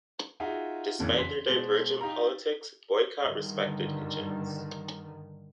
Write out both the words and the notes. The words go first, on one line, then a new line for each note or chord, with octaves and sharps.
Despite their divergent politics, Boycott respected Hitchens.
D#4 F4 F#4 G#4 E5 G#5
F#1 F2 A#2 C#3 E3
C6 B6
B2 G#3 C5 A6
D#4 G4 F5 A#5
G2 D3 D#3